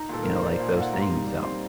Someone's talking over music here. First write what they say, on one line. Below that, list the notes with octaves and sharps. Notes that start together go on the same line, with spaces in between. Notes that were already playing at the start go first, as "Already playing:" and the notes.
you know, like those things, um
Already playing: D#4 A#5
A#2 A4
D#4 A#4
C5
D#4 D5
A#2 C5
D5
A#3 F#5
G3 A#5
C6
D#4 A#5
G3
C4 C6